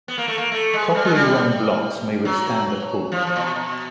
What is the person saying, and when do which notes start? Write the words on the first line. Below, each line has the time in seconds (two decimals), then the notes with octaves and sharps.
Properly wrung blocks may withstand a pull.
0.08 B3
0.18 A#3
0.28 A3
0.38 A#3
0.52 A3
0.74 G#3
0.95 G3
1.05 G#3
1.15 G3
2.25 F#3
3.12 F3
3.27 F3
3.36 A#2
3.40 B2
3.56 B2